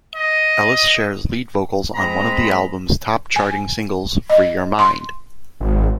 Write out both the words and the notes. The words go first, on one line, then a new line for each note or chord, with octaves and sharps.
Ellis shares lead vocals on one of the album's top-charting singles "Free Your Mind".
D#5
G#3 C4 A#5 B5
G#5
D#5
C6
G#1